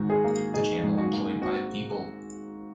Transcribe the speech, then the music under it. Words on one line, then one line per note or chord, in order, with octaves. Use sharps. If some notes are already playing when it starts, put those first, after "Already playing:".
The channel employed five people.
Already playing: G#2 D#3 F#4
G#4
A#3
D#4 G#4
G#2
F#4
A#3
C4 F#4